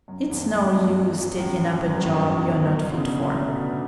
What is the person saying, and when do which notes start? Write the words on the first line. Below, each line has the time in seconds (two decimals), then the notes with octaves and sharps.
It's no use taking up a job you are not fit for.
0.08 F#2
0.29 E2 G2
0.51 F#2
0.73 E2 G2
1.37 F#2 A2
1.84 F#2
1.94 G2
2.02 F#2 A2
2.19 F#2
2.34 E2
2.51 E2
2.67 F#2
2.83 B2 D3
2.94 C#3
2.99 B2 D3
3.16 D3 F#3
3.28 D4
3.32 A3 C#4
3.54 B3 D4